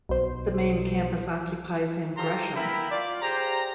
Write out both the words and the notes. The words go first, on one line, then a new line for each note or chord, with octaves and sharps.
The main campus occupies in Gresham.
B1 C5
F4 G4 A4 C5 A#5 C6
B3 E4 A#4 E5 G5 B5
F4 D5
G4 G#4 C5 A#5